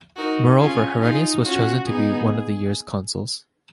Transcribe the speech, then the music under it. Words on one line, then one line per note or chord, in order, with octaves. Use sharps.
Moreover, Herennius was chosen to be one of the year's consuls.
D#4 F#4 A#4
C#4 F4 G#4
D#4 F4 G#4
C#4 F4 F#4
B3 D#4 G#4